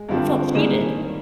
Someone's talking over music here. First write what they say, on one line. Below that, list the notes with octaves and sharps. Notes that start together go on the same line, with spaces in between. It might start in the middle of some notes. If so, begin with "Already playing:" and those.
I felt cheated!
Already playing: G#3
G2 D3 F3 C4 G4
D#3 G3 G#3 A#3